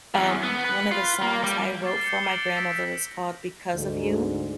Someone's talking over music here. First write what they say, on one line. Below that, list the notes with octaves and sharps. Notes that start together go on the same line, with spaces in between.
um, one of the songs I wrote for my grandmother is called "Because of You"
E2
B3
B4
F4
A#3
G3
D6 G#6 A6 C7 G7
G6 G#6 C7 C#7 G7
D6 F6 C#7 D7 F#7 G7
A6
E6 A#6 B6 D7
D2 G#2